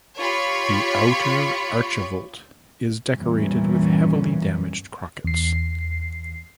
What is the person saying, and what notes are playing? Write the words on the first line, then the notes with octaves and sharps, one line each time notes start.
The outer archivolt is decorated with heavily damaged crockets.
F4 G4 C#5 B5 C#6 C#7
E2 G2 A#2 E3 C#4
E2 C7